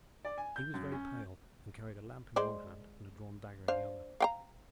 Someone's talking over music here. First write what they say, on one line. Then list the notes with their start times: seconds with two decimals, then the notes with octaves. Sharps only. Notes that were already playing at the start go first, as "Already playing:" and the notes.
He was very pale, and carried a lamp in one hand and a drawn dagger in the other.
0.25 D5
0.38 G#5
0.56 G6
0.74 F#2
0.92 C#4
2.36 G#3 C5 D5
3.68 D4 C5 F5
4.20 F5 G5 A#5